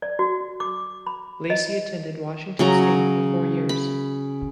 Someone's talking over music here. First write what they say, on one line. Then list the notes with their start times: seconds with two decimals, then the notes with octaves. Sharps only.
Lacy attended Washington State for four years.
0.02 D5
0.19 F#4
0.60 D6
1.06 B5
1.50 D#5
2.59 C#3 F#3 A#5
3.69 B5